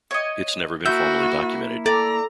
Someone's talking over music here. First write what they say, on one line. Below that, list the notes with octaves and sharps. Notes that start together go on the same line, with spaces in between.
It's never been formally documented.
C#5 D#5
A#3 E4 F#4 E5 G6
A4 D5 A#5